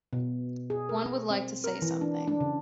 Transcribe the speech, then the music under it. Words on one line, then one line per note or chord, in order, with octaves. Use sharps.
One would like to say something.
B2
G#4
A#4
C4
A#4
E3
D4
D4
C#3